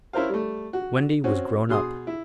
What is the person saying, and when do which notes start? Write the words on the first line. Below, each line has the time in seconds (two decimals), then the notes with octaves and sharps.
Wendy was grown up.
0.13 C#4 E4 A#4 C5 F5
0.29 G3 A3
0.73 F#4
1.24 C4 C#4 F#4
1.69 B2 G#4 C6 D#6
2.07 E4